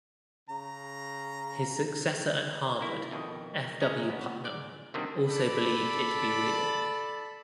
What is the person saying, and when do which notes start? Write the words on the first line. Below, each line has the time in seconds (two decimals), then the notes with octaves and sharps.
His successor at Harvard, F. W. Putnam, also believed it to be real.
0.49 C#3 A#5
2.79 B1 A#3 E4
3.11 F2 B2 D#3
3.81 G#3 C#4 A#5
4.09 C#2 B3
4.44 G#2 D5
4.94 C3 D#3 F#3 G3 A#3 D4
5.28 A4 D5 B5